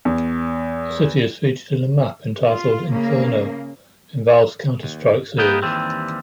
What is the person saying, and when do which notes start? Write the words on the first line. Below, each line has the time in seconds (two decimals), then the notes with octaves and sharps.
The city is featured in a map entitled "Inferno" in Valve's Counter-Strike series.
0.05 E2
2.49 F4
2.91 C#3 A#3
4.83 D#2
5.38 A#3 B3 D#4 B4 G5
5.62 D#2 E3 G3 C4